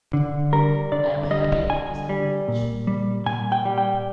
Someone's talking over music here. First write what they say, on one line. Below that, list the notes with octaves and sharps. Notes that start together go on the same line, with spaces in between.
I'm happy with this approach.
D3
G3 A#4
D3 D5
G3 D#5
D3 G#5
G3
A#2
G3
A#2 G#5
G5
G3
G5